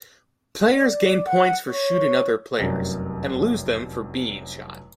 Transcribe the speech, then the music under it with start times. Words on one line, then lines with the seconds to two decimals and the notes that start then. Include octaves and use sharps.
Players gain points for shooting other players, and lose them for being shot.
0.71 D5
1.26 F#5
1.69 C#5
2.58 F1 C2 F#2 F#3 A#4